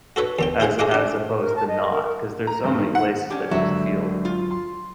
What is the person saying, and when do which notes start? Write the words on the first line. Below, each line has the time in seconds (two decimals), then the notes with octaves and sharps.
as as opposed to not 'cause there's so many places that just feel
0.16 F#4 A4 B4 C#5
0.39 D#2 B3 G5
0.60 E4 F4 G#4 F5 F#5
0.79 A3 G#4 D#5 F5 D6
0.91 D4 G4
1.39 A#4
1.56 A5
1.68 D#5
1.91 A#4
2.04 A#4
2.47 A#5
2.64 G2
2.79 D#3
2.95 F#5
3.30 C#4 D4 G4
3.51 G#1 D3 F#3 E5
4.25 F4
4.51 C6